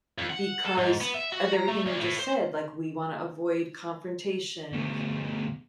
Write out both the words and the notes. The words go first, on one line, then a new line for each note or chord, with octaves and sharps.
because of everything you just said, like, we wanna avoid confrontation,
F2
F#5
A4
G#2
B3
E5
F#4
A#5
A3
D2
A2
C5
D2 B2